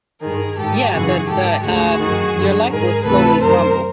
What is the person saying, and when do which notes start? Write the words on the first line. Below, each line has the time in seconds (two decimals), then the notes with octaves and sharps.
yeah, the the, um, your life will slowly crumble.
0.22 G2 D#3 G#4 A#4
0.57 G#2 D#3 G4 A4
0.93 F#2 C#3 E3 F#4 G#4
1.28 G#2 D#3 G4 A4
1.64 D2 D3 F#4 G#4
1.99 D#3
2.04 F#2
2.35 F#2 D3
2.71 G#2 D#3 G#4 A#4
3.06 D2 C3 E3 A4 B4
3.42 F#2 D#3 A#4 C5